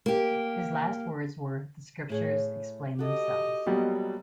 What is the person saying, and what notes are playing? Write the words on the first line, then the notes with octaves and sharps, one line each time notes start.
His last words were The Scriptures explain themselves.
A#3 G4
A2 G#4 C#5
F#4 G4 A4 D#5
B2 F#3 G3 A#3